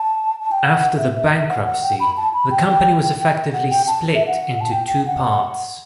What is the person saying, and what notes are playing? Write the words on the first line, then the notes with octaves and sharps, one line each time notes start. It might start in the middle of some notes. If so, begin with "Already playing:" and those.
After the bankruptcy, the company was effectively split into two parts.
Already playing: A5
A5
G5
F#5
E5
E5
E5
F#5
F#5
G5
B5
A5
B5
G5
G5
G5
G5
F#5
G5
A5
E5
F#5
A5
G5
G5
F#5